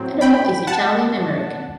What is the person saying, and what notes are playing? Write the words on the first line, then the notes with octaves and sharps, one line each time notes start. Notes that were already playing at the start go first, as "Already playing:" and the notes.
Adamo is Italian American.
Already playing: A2 F#3 C4
G5 B5
F#5 A5